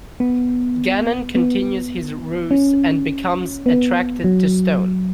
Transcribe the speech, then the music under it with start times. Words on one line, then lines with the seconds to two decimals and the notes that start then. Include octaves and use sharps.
Gannon continues his ruse and becomes attracted to Stone.
0.20 B3
1.35 B3
2.51 C#4
3.66 B3
4.24 F#3